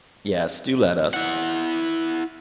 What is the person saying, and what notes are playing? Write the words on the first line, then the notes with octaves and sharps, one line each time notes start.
"Yes, do let us."
E4 F#5